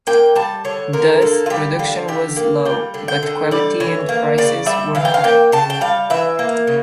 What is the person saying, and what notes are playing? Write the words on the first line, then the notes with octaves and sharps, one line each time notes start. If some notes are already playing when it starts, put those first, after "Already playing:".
Thus, production was low, but quality and prices were high.
A#3 G5
G3 A5
D3 C#5
D3 A#4
A#3 A4
F4
G3 G4
D3 F4
D3 G4
A#3
G3 G5
D3
G5
D3
G3 D5
E3 C#5
A#3
C#3 D5
G3 E5
E3 F5
G5
F5
A#3 G5
C#3 A5
G5
G3 F5
E3 E5
A#3
C#3